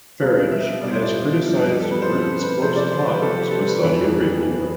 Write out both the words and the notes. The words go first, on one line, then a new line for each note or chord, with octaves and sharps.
Farage has criticised Britain's close ties with Saudi Arabia.
B2 G3 B3 F5
E5
B2 G3 B3 D5
C5
D5
G2 F3 B3
G4
A4
B4
G2 F3 B3 C5
A4
B4
C3 F3 A3 C5
D5
C5
B4
C3 F3 A3 A4
G4
A4
B4
F2 E3 B3 B4
F2 E3 B3